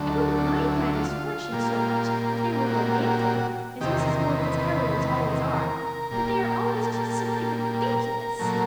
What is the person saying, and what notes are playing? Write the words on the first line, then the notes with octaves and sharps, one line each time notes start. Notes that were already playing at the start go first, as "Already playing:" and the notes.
I wouldn't mind my misfortunes so much if they were romantic, as Mrs. Morgan's heroines' always are, but they are always just simply ridiculous.
Already playing: D2 D3 F#3 A3
D4
E4
E4
F4
A#2 G3 A#3
F#4
E2 C3 D#3 G4
A#4
A#4
B4
A#4
A#2 G3 A#3
A4
A#4
A#2 F#3 A3